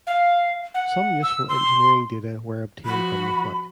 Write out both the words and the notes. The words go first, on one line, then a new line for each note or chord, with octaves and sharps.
Some useful engineering data were obtained from the flight.
F5
F#5
E6
C6
F3 F#4 B5